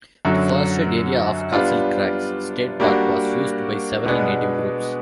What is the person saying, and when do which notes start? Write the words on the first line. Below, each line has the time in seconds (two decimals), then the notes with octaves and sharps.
The forested area of Castle Crags State Park was used by several native groups.
0.25 F#2 D3 F#3
1.52 G3 B3 D4 F4
2.80 G3 A#3 D4 F#4
4.06 B2 G#3 B3 D4